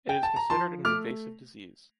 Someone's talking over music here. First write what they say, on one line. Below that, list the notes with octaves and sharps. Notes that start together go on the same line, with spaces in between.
It is considered an invasive disease.
G5
A5
A#5
F3 A5 C6
A3 D6 F6